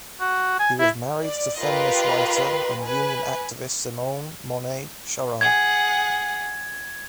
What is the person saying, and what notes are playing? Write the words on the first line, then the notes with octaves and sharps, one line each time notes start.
He was married to feminist writer and union activist Simonne Monet-Chartrand.
F#4
G#5
E4
D5
F4 G4 A#4 B4 D#5 C6
B4 G#5
G#4 F#5 G#6